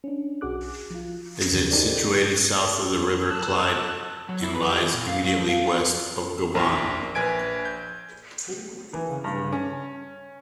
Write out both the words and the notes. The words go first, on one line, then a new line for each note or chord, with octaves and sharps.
It is situated south of the River Clyde and lies immediately west of Govan.
C#4 D4
B1 F#4 G#4 D6 F#6
F3 F4
D#2 C#3 F3
D#4 G4 A4 A#4 C5 D5
A4 E6 F#6
F#3
E4
B4
G4
E3
A#2
F5
F#3
F3
F5
F4
A#1 A#4 C6
A#1 B4 G#5 G#6 D7
G6
E3
G2
C#4